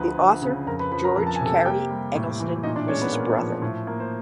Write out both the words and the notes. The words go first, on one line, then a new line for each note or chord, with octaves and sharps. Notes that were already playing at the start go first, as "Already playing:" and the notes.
The author George Cary Eggleston was his brother.
Already playing: D2 F3 B4
D2
C#3
F2 A#4 A#5
B4 B5
F3 B4 B5
A#4 A#5
F2 A#5
A5
G#5
C3 A4 A5
A#3 G4 G5
G3
A2
E3
A#2 D#4 D#5
D4 D5
G#3 C#4 C#5
B3 B4
A#2 A#4
F3
A2
A#3
C5